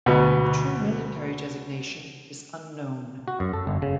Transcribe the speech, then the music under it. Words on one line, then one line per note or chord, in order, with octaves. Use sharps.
The true military designation is unknown.
D2 B2
F#4
F#2
A4
G1
C#3